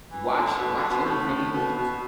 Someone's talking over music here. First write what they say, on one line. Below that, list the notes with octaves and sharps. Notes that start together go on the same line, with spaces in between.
watch watch anything, just
E3
D3
B2
D3
B2
A2
B2
B2